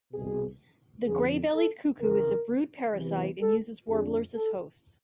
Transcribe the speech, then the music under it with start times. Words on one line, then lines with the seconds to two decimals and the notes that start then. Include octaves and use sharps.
The grey-bellied cuckoo is a brood parasite and uses warblers as hosts.
0.13 C2 B2 G#4
1.06 F2 D3 G#4
1.54 A4
2.00 F2 C#3 E3 A#4
2.94 E2 C3 E3
3.41 A4
3.87 F2 D3 G#4
4.34 A4